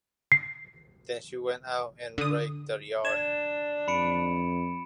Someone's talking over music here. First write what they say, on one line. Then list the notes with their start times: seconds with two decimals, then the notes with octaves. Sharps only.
Then she went out and raked the yard.
0.32 C7
2.18 D3 D#6
3.05 D4 G#6 A6 E7
3.88 F2 B5 C#7 D7